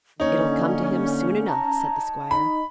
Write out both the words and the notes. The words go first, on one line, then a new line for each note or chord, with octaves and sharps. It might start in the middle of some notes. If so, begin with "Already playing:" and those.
"It'll come to him soon enough," said the squire.
D3 A#3 C#4 D#4 C#5
A5 A#5
D#4 B5